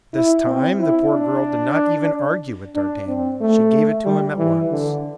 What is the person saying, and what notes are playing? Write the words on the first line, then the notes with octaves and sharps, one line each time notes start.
This time the poor girl did not even argue with d'Artagnan; she gave it to him at once.
E4
C4
E4
D4
D4
C4
A3
G3
E3
D3